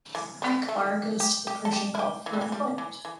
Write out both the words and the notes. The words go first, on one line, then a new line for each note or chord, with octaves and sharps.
Akbar goes to the Persian Gulf for employment.
E3
G3
A3
G4
G4
A4
G4
E4
G4
E3
G3
E3
G3
E3
E3